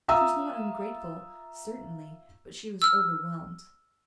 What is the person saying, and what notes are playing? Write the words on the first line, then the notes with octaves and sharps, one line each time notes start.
She was not ungrateful, certainly, but she was overwhelmed.
F4 E5 F5 A#5 D#6 E6
E6 F6